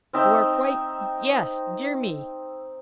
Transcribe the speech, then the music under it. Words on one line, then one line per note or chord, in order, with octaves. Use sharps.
You are quite--yes--dear me!'
C4 D#4 E5 G5